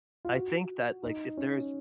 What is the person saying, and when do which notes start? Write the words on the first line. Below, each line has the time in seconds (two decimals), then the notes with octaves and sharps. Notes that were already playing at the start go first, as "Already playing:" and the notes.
I think that, like, if there's
0.25 F4
0.34 F#4
1.03 D#4
1.37 C#4